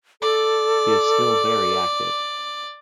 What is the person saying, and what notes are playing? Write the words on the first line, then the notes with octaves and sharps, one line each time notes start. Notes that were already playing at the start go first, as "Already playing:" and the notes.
He is still very active.
A4 D5